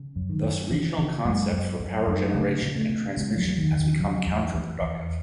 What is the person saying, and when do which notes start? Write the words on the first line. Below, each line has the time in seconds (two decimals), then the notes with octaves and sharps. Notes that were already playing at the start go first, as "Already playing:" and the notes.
Thus regional concept for power generation and transmission has become counter productive.
Already playing: C#3
0.16 F#2
0.29 D#3
0.43 F#2
0.70 C#3 E3
0.98 C#3 E3
1.25 F#2 G#3
1.52 F#2
1.80 F#2
2.07 F#2
2.35 C#3 A3
2.62 C#3
2.76 A3
2.90 C#3
3.17 C#3 G#3
3.37 F#3
3.44 E2
3.58 D#3
3.72 E2
3.79 D#3
3.99 C#3 F#3
4.26 E2
4.54 E2
4.81 E2